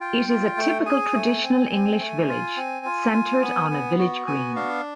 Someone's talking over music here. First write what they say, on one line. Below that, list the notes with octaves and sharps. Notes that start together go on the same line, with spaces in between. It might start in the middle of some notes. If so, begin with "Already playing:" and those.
It is a typical traditional English village, centred on a village green.
F4 G5
F4
A3
G#4 G#5
A3
C4
C4
A3
F4
C4
F4
F4
B3
B3
F#4
B3 G#5
D4 F5